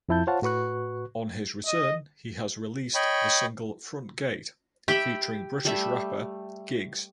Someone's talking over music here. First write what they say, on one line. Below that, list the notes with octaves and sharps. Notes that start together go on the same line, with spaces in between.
On his return he has released the single "Front Gate" featuring British rapper Giggs.
F2 F3 E4 A5 G6
F4 C5 C#5 F5 F#5 A5
A2 F#4 B4 C#6 F#6
D#5
C#5 D#5 G5 B5 C#6
G4 E5 G5 B5
G3 A3 E5